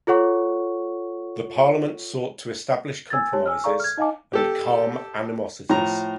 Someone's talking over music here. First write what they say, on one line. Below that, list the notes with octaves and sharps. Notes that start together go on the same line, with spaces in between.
The Parliament sought to establish compromises and calm animosities.
F4 A4 C#5 F#5 C#6
G#5 E6 G#6 A6
G4 C#5 A5
G#5 E6 F6
G#4 A4 D5 F5 A#5 C#6
F6 G#6
D#4 D#5 F5 G#5 A5 D6
G4 A4
A2 F3 A#5